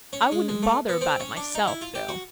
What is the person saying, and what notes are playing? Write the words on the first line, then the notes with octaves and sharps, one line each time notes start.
I wouldn't bother about it myself, though.
C#4
G#3
G#3
A3
B3
C4
C#4
D4
D#4
E4
F4
G4
F#4